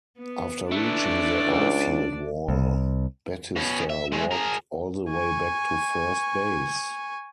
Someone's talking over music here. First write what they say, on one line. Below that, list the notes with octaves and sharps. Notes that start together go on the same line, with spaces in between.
After reaching the outfield wall, Batista walked all the way back to first base.
B3
E3 A3 D4 D5
C#2
C2
B2 C#4
E5
G#3 A3
G#4 A#4
G#5 C#6